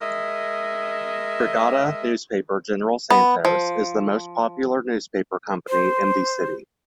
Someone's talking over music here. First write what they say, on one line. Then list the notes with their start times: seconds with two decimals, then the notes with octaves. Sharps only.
Brigada Newspaper General Santos is the most popular newspaper company in the city.
0.01 G#3 A#4 D#5 E5
3.10 B3
3.45 F3
5.69 C5